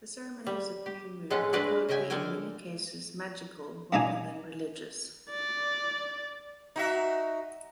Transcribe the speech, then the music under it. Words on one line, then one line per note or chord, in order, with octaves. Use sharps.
The ceremonies of new moon are probably in many cases magical rather than religious.
G3
G4
A2 G#3 C#4 A4 B4 F#5
G#3 A3 D4 B4 D5 D#5
C#3 D#5 E5 G5 G#5
D3 A4 A#4 G5 G#5
F#2 A#3 D4 D#4 G#5
D5
D#4 F#4 E5